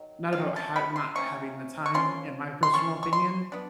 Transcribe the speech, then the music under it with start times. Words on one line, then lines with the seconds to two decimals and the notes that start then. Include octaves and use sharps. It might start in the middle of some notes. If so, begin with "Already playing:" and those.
not about ha not having the time in my personal opinion,
Already playing: D#3 F#3
0.33 F5
0.37 C3 F3 A#3 C#4
0.56 A5
0.76 B5
0.96 C6
1.15 C3 F3 A#3 C#4 C#6
1.86 C#6
1.94 F3 A#3 C#4 C6
2.63 C6
2.74 F3 A#3 C#4 C#6
3.03 C#6
3.13 C6
3.52 B3 D4